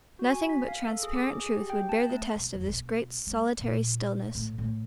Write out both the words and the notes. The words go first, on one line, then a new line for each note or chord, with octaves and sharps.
Nothing but transparent truth would bear the test of this great, solitary stillness.
F#4
G#5
B6
F5
A4
G#4
D6
G#4
G4
G5
A5
A3
B2
F2
B2
G#3
A#2
A2
A2